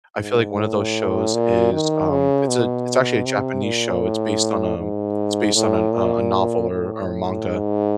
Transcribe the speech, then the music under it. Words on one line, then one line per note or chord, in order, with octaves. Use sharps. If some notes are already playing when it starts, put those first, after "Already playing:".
I feel like one of those shows is, um, it's a it's actually a Japanese show, it's based on, um it's based on a a a novel, or or a manga,
G#2
A2
A#2
D#3
C#3
B2
C3
A#2
A2
G#2
A2
A#2
A2
G#2